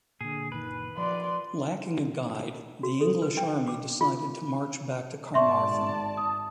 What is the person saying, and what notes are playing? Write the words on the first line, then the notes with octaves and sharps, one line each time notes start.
Lacking a guide, the English army decided to march back to Carmarthen.
A#2 D3 G#4
F#1 A#2 D#3 B4
F3 D5 C6
F#4
A4
B4
G5
D6
F4
G#1 D5 E5 A5 C6 C#6
D#6